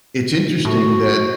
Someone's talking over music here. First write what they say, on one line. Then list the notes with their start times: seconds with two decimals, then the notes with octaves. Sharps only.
it's interesting that,
0.65 A2 F#4